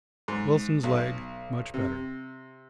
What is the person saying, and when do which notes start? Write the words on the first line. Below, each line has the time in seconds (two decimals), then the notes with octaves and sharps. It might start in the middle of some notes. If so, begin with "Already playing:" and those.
Wilson's leg much better.
0.28 G#2
0.83 B1
1.74 C3